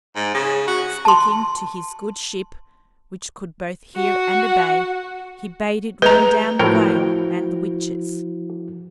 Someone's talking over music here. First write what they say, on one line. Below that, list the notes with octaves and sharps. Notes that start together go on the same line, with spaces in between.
Speaking to his good ship, which could both hear and obey, he bade it run down the whale and the witches.
G#2
C#3
F#4
A5 C6
F#4
G#3 B4 A#5
A2 F3 E4 F#4 A#4 G5